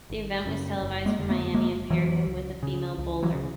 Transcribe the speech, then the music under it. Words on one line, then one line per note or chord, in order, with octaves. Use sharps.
The event was televised from Miami and paired him with a female bowler.
G#1
F#2 C#3
F#1
G#3 A#3
F2 D3
A3 B3
F#1 G#3 A#3
F2 D3 E3 F#3
C#2
C#3
C#2
E3 F#3
C#3